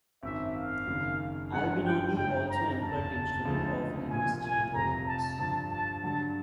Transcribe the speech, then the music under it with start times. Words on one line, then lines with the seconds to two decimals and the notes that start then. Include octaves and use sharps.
Albinoni also employed the instrument often in his chamber works.
0.23 G#1 F#2 D#3 E5
0.55 F5
0.87 F#1 F#2 D#3
1.51 G2 E3 G#3 C#4 E4 F#5
1.84 G5
2.16 G1 F#2 D3 G5
2.49 A#5
2.81 F#1 E2 C#3 A5
3.45 D2 C#3 F3 G#3
4.10 C2 A#2 F3 G#5
4.42 G#5
4.74 F1 F2 C3 F3 A#5
5.06 A5
5.38 G2 D3 F3 A5
5.70 A5
6.03 G2 D3 F#3 A5